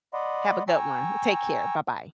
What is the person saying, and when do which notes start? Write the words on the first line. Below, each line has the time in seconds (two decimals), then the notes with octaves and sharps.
Have a good one. Take care. Bye-bye.
0.14 D5 D#5 F#5 B5 C6
0.68 G5 G#5 A#5 C#6 E6